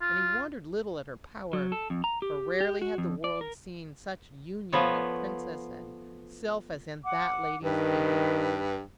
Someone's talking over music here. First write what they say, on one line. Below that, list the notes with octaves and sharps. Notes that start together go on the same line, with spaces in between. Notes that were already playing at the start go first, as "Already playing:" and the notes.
And he wondered little at her power, for rarely had the world seen such union of princess and sylph as in that lady's figure.
F4
F#3
A4
F2
A#5
G4
G4
F#4
F2
D5
A#4
F3 A3 B3 B4 C#5
F#5 D6
G2 D#3 B4